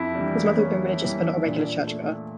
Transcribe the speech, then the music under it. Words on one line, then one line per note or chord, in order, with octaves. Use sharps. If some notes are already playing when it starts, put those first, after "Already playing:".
His mother had been religious but not a regular churchgoer.
Already playing: F2 E4
E3 G3 D4
A#3
F2 C#4
E3 G3
A#2 D4
A3